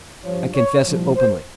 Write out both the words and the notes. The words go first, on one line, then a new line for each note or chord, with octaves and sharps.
I confess it openly.
G2 F3 C#5
C#5
C2 A#2 F3
C5